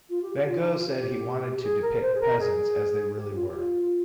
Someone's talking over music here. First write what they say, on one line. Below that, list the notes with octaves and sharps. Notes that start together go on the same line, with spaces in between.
Van Gogh said he wanted to depict peasants as they really were.
F4
G4
G4
F4
D#4
F4
G4
G4
G#4
A#4
C5
G#4
A#4
G#4
G4
F4
G4
F4